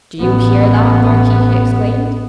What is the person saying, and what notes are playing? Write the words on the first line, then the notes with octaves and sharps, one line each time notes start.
"Do you hear that, Marquis?" he exclaimed.
A1 B3